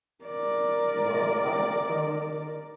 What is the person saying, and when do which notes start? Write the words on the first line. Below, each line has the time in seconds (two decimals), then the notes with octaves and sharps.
Well, I have some
0.25 A#4 D5